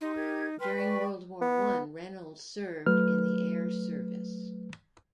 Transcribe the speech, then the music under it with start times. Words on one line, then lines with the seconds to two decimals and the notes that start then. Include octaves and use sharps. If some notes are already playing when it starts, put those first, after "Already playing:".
During World War One, Reynolds served in the Air Service.
0.01 D#4 G4 C6
0.14 G4 A#4 G#6
0.60 B4 G5 C6 F6
0.77 D5 G5 C#6
1.41 B3
2.86 F#3 A3 B4 F6